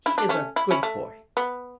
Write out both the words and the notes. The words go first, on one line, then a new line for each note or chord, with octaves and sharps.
He is a good boy.
E4
D4
A3 C#4
E4
C#4 E4
A3
B3